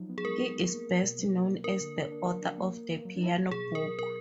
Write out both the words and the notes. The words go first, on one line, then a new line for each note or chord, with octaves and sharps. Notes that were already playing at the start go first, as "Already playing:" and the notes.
He is best known as the author of "The Piano Book".
Already playing: F3 F#3 D#4
B3
G#4
G#3 A#4
B3
B3
A#3
A#3
B2
F#3
A#3
A#3
D4 A#4
D3
D4
D4
F#3
D4
A#3
A#3
A#3
F#3
F#3
F#3
B2 G#4
B2
A#4
F#3
B2 A#4